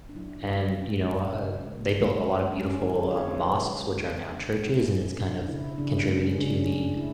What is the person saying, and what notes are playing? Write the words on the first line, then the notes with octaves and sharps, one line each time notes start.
and, you know, uh, they built a lot of beautiful, uh, mosques, which are now churches, and it's kind of contributed to the
D4
F#3 E4
B2 D4
F#3 C#4
D4
C#4
B2
C#3
G#3
G#3
G#3
G#3 C#4
C#4
D3 E4
G#4
D3 C#5
F#3 B4
G#3
C#3
B2 D4
B3
B2
C#4
F#3 B3
B2 D4
C#3 E4
C#3 D4
G#3 B3
C#4
C#3 D4
C#4
A3 D4
B2 E4